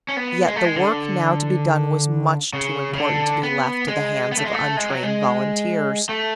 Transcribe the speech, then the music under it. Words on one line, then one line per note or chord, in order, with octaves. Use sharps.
Yet the work now to be done was much too important to be left to the hands of untrained volunteers.
C#4
B3
G#3
A3
G#3
D3
C#3
C#3
D3
B3
G#3
B3
A3
G#3
A3
G#3
F#3
G#3
A3